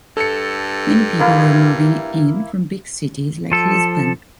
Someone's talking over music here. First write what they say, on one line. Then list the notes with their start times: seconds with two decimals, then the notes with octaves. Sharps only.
Many people are moving in from big cities like Lisbon.
0.17 G2 A4 C#7
1.19 A#3 E4 F5
3.52 F3 A4